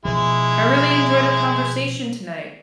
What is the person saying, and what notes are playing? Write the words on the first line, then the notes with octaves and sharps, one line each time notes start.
I really enjoyed our conversation tonight.
B2 F3 G#3 E4